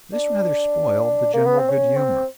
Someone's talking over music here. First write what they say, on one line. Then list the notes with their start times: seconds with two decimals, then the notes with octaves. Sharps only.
This rather spoiled the general good humor.
0.13 D4
1.33 A#3
1.46 B3
1.58 C4
1.70 C#4
1.97 C4